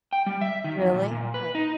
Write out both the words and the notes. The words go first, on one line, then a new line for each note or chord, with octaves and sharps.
Really? Okay.
G5
G3
E5
D#3
F2
A#2
A#2
B4
D#4